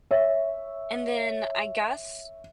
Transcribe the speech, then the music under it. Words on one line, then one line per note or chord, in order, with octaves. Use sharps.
and then I guess
C#5 E5